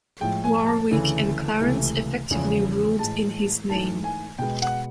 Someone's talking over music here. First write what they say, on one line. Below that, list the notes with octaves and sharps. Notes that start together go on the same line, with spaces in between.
Warwick and Clarence effectively ruled in his name.
A2 F3 G#3 G5
G#5
A5
D2 C#3 E3 A3
C#2 C3 E3 A3
E2 C#3 F3
A2 E3 G#3 A5
G#2 E3 A3 A5
G#5
B2 G#3 B3 G5
F#5